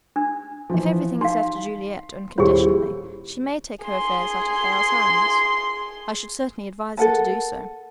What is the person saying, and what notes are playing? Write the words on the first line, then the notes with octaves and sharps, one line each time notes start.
If everything is left to Juliet, unconditionally, she may take her affairs out of Hale's hands. I should certainly advise her to do so.
D4
E3 F3
D#4 F5 C6
D#1 E4 G4 G#4 C5 C#5
G#4 C6
A4 A#4 F#5 A5